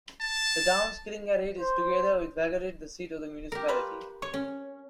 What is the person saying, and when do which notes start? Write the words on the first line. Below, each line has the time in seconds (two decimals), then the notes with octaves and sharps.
The town Skillingaryd is together with Vaggeryd the seat of the municipality.
0.21 A5
1.59 C5
3.52 G4 A#4
3.68 G3 F4 B4
4.22 C#5 C#6
4.34 C#4